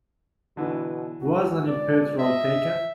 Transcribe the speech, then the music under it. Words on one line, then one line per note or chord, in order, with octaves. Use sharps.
Was any petrol taken?
B2 D3 E3
C#2 F#4
D5
D#5 E5